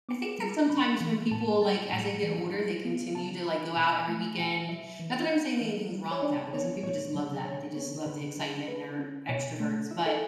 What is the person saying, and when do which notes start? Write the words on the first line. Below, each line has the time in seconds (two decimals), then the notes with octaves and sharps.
I think that sometimes when people, like, as they get older, they continue to, like, go out every weekend not that I'm saying anything's wrong with that because some people just love that, they just love the excitement and they're extroverts, but,
0.09 B3 D6
0.29 D6
0.39 G3
0.49 D6
0.69 C#3 B5
1.01 E3
1.31 A2 A5
1.62 G3 A5
1.93 A2
2.23 E3
2.54 E4
2.85 B3
3.15 C#3 A5
3.46 E3 B5
3.76 B2 B5
4.07 A3 A5
4.38 B2 G5
4.69 F#3 E5
4.99 E3
5.30 D4
5.61 E3
5.92 G3
6.11 C#5
6.22 D4 D5
6.53 B3 C#5
6.83 A2 C#5
7.14 F#3
7.45 D3 C#5
7.75 B3 C#5
8.06 D3 B4
8.37 F#3
8.68 E4 B4
8.99 C#4
9.29 B2 C#5
9.60 A3
9.91 E4 E5
10.06 A4